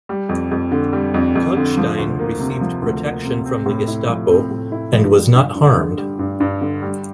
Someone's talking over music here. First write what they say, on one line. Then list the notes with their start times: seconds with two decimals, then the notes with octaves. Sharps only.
Kalkstein received protection from the Gestapo and was not harmed.
0.09 G3
0.29 F2
0.51 F2
0.72 D3
0.93 G3
1.14 F2
1.35 F2
1.56 D3
1.77 F3
1.98 D2
2.19 A#3
2.40 C3
2.61 F3
2.82 D2
3.04 A#3
3.25 C3
3.46 C4
3.66 A2
3.88 E4
4.08 F3
4.29 C4
4.51 A2
4.72 E4
4.93 F3
5.14 G3
5.35 G2
5.55 G2
5.76 D3
5.98 G3
6.19 G2
6.40 G2
6.62 D3
6.82 G3